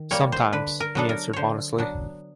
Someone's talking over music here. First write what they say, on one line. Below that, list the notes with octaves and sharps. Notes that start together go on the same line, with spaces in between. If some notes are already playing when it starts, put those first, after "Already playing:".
"Sometimes," he answered modestly.
Already playing: D#3
G3 A#3 C#5
C5
D3 B4
A#4
F#3 B3 D4 A4
A#4
D3 C5 C#5
F#3 B3 D4